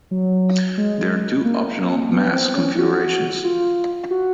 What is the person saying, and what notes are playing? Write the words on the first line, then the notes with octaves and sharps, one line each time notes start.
There are two optional mast configurations.
F#3
G#3
A#3
B3
C4
C#4
F#4
F4
F#4